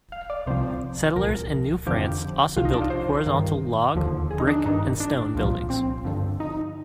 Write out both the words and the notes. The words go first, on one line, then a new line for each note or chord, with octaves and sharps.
Settlers in New France also built horizontal log, brick, and stone buildings.
F5
D5
C2 C3 F3 C5
C2 A#2 F3 A#4
F2 D3 F3 G4
C2 C3 F3 F4
D#4
D4
F4
C5
G2 D#3
D#2 D3 F3
G#4
D#4
D4
G2 D#3 D#4
D4
C2 A#2 F3
C4
G2 D3 F3
D#4